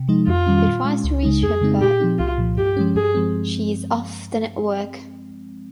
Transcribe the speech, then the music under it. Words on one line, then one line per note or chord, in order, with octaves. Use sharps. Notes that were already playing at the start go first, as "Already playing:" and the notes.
He tries to reach her but she is off the network.
Already playing: C3
F3 G#3 D#4
F2 F4
D#3 G3 C#4
A#2
G#3 C#4
C#2
C#3 G#3 D#4
F2 G#4
C#3 G#3 C4 D#4
A#2 G4
F3 C4 D#4
C2 F4
A#2 F3
G2 G4
F3 G#3 C#4
G2 G#4
F3 G#3 C4